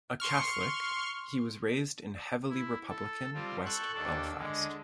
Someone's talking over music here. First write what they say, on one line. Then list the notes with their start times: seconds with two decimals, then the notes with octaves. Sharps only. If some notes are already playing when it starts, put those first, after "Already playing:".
A Catholic, he was raised in heavily republican West Belfast.
0.20 C6 C#6 F6
2.49 E4
2.89 A4
3.34 G3 C4 F4
3.65 A4 C#6 F#6 G6
3.94 D#2 D4 A4
4.37 D3 G#3